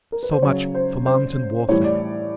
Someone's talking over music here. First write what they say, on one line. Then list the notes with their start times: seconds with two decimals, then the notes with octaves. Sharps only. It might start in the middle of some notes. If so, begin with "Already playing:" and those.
So much for mountain warfare.
0.12 A#4
0.23 B4
0.32 C5
0.42 C#3 F#3 C#5
0.75 C5
1.06 C5
1.69 A2 E3 G3 C#5
1.84 D5